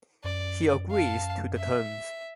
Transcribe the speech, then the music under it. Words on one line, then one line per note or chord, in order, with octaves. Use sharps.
He agrees to the terms.
F#2 D5
F5 A5
E5